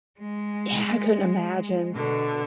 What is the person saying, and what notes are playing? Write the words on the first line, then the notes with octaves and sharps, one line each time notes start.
Yeah, I couldn't imagine.
G#3
B2 D3